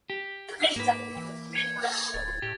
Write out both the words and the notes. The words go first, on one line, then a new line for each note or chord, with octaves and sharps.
Two cars of Satyaki were going to be delivered on the day of Mahalaya.
G4
G#2 A#3 B4
E3
G#6
D1 A6
A2 G4